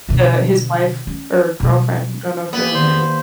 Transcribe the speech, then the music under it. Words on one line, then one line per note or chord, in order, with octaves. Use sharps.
Uh, his wife or girlfriend, I don't know if they were married.
B2 D3
C#4
B2 G3
A#3 B3 G4 D5
D#3 C5